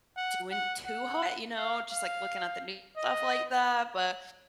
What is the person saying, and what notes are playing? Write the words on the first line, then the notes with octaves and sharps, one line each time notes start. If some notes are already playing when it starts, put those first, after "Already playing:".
doing too hot, you know, just like looking at the news and stuff like that, but
F#5
F#5
F#5
F5
F5
D#5